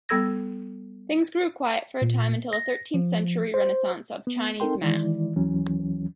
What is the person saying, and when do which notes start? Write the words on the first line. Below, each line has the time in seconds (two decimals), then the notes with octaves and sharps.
Things grew quiet for a time until the thirteenth century Renaissance of Chinese math.
0.09 G3 B3 A4 E6 G#6 A#6
2.02 A#2
2.53 A#6
2.94 F3
3.54 C5
4.27 B3
4.60 C4 D#4 A4 A#4 G5 C6
4.82 D#3 E3 G#3 E4 D5
5.36 D#2 E3 F#3 C#4